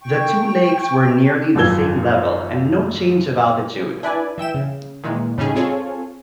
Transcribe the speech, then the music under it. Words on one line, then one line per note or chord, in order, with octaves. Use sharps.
The two lakes were nearly the same level and no change of altitude.
G5 C#6
G#1 F#2 F3 E6 G#6 G7
D4 E4 B4 D5 G#5
E3 E5 G5 E7
C#3
A#2 D#3 E3 G#3
A2 C#3 G3 C#4 D#4 G#4
C4 F4 G#4 A4 C#5